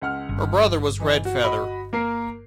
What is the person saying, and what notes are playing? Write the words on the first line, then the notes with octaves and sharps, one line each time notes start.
Her brother was Red Feather.
C#2 F#5 F6
G1
E3 D#4
F#4
F#4 D#5 B5
A#3 A#4 C7